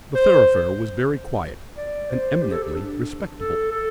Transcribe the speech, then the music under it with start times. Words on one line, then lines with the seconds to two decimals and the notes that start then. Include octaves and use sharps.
The thoroughfare was very quiet and eminently respectable.
0.15 C5
1.77 D5
2.10 C5
2.42 G4
2.52 A4
2.63 G4
2.74 D4
3.40 A4
3.71 A4